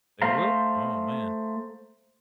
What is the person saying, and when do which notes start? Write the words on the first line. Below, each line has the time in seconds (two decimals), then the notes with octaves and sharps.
They will? Oh man.
0.22 A3 C5 F5 A#5